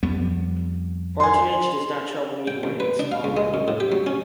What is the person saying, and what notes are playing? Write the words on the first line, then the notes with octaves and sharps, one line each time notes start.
Patronage does not trouble me when it is well meant.
F2 G3 B3
G#5 C6
G5
A1
B4
D4
F5
C#2
G#3
F#2
A2
G4
F#3
C#4